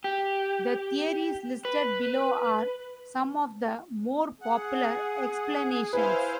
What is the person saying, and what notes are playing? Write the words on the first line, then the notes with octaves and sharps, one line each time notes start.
The theories listed below are some of the more popular explanations.
G4
B4
G#4 F#5
E4 B4 C5 F5 G#5